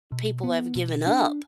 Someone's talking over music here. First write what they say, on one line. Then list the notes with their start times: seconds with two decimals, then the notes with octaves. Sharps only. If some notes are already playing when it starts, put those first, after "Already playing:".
people have given up,
0.12 B2
0.44 B3
0.75 B2
1.07 D4